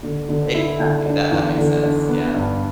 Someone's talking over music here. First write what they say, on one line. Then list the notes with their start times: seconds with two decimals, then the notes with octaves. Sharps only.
Exactly, that that makes sense, yeah,
0.03 D3
0.29 D3
0.54 E4
0.80 D3
1.06 D4
1.31 E2
1.57 D3
1.83 D4
2.09 B3
2.34 G2